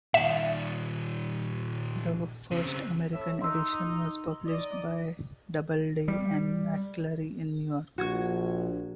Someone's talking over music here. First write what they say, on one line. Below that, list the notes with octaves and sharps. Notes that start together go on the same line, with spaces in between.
The first American edition was published by Doubleday and McClure in New York.
A#2 D#3 E5
C#3 C4
A2 E5
D#4 C6 E6
D#4 D5 D#5
G3
A#1 F#4 G#6